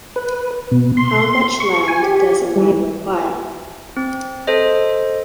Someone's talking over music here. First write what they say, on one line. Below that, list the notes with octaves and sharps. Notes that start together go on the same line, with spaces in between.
How Much Land Does a Man Require?
B4
B2
C6
C#6
G#5
G4
G3
C4
A4 C5 D#5